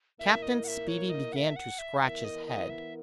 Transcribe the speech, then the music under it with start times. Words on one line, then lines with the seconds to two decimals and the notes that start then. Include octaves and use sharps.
Captain Speedy began to scratch his head.
0.18 A#2 A#3 E4 A#4 E5
0.42 D#5
0.64 F#5
0.68 E5
0.88 C#5
1.10 D#5
1.32 F#5
1.36 E5
1.56 F#5
1.79 E5
2.01 E3 B3 E4 A#4 E5 F#5
2.24 D#5
2.47 D#5
2.70 E5